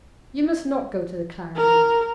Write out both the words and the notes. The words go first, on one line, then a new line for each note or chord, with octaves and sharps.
'You must not go to the Clarendon.
A#4